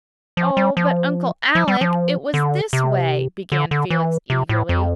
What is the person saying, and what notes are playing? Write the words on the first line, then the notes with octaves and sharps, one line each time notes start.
"Oh, but Uncle Alec, it was this way," began Felix eagerly.
F3
G3
F3
F3
G3
F3
D3
C3
D3
D3
E3
C3
A2
F2